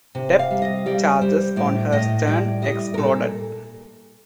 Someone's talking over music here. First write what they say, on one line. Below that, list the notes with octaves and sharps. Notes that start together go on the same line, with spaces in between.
Depth charges on her stern exploded.
C3
F5
G3
D#5
G3 D5
G3 C5
A2 D5
A2 D#5
G3 D5
G3 D#5
A#4
A#2 A4